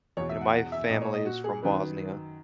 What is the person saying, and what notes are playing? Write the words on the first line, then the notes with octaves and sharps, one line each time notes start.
You know, my family is from Bosnia,
E2 B2 C#5
E5
F#5
F#5
E5
A#2 D#5
C#5
D#5
F#4
G#4
F#2 D#3 B4